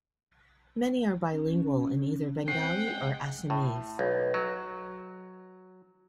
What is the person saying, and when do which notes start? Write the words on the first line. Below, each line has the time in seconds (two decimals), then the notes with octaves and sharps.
Many are bilingual in either Bengali or Assamese.
1.33 C#4
2.48 C4 C#4 F#5 G5 C7
2.88 G#3 G#4
3.50 A2
3.99 B1
4.34 F#3